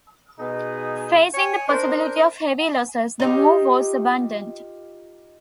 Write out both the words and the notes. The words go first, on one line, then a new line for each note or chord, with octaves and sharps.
Facing the possibility of heavy losses, the move was abandoned.
B2 B3 D#4 G#4
C#5 G#5
D4 A#4 C5
D#4 F4 G4